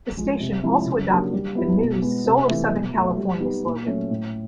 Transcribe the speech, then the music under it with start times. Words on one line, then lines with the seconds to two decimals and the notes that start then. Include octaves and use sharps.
The station also adopted the new "Soul of Southern California" slogan.
0.17 F3 G#3
0.40 C3
0.63 F3 G#3 C4 E4
0.86 C#3
1.09 F#3 A#3 D4 G4
1.33 G3
1.55 B3 E4 G4
1.79 B2
2.02 G#3 B3
2.26 C3
2.48 E3 A3
2.71 B2
2.94 F#3 A3
3.17 G3
3.40 B3 D#4 G4
3.64 A#2
3.86 F#3 A3 C#4
4.10 A2